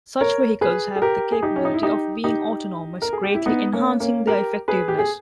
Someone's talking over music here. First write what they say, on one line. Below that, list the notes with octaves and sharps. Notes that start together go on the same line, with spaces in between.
Such vehicles have the capability of being autonomous, greatly enhancing their effectiveness.
A#4 C#5
G#4 B4
G#4
G4 A#4
G#4
D#4 G4
C#4
D#4
E4
D#4 G4
D#4 G4
A#4
G#4
G4
E4
B3 D#4
A#3 C#4
A#3 C#4
G4 A#4
G#4 B4
G4
G#4